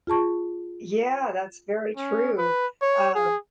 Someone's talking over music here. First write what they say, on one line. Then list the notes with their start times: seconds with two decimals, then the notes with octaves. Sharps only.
Yeah, that's very true, uh
0.07 F4 G#4 A5 C#6
1.97 C#4
2.38 B4
2.82 C#5
3.15 G#4